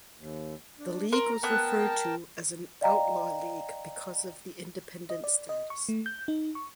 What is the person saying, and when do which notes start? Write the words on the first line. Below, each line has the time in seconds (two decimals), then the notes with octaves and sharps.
The league was referred to as an "outlaw" league because of the Independent status.
0.18 D#2
0.79 D4
1.12 A#4 A#5 C6
1.43 B3 A#4 G5 A5 F#6
2.81 D5 D#5 F5 G5 A#5
5.10 D#5
5.24 D5
5.49 D#5
5.70 C#6
5.89 A3
6.06 G6
6.28 D#4
6.55 C#6